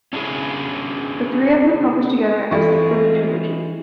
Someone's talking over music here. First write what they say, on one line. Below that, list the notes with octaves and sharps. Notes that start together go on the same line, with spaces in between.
The three have been published together as "The Crilly Trilogy".
C#4 D4 E4 G#4
E3 G#3 C4 E4 F4 A4 C#6